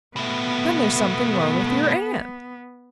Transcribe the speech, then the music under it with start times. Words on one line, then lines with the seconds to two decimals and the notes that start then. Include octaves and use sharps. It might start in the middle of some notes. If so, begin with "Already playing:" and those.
"Then there's something wrong with your aunt!"
0.17 B2 A3 B3